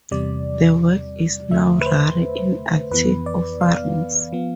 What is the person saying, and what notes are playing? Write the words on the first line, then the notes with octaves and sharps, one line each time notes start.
The work is now rare in antique offerings.
E2 C3 G3 D5
E2 D3 A3 E5
B4
C5
F2 E3 B3 B4
D5
F5
F3 B3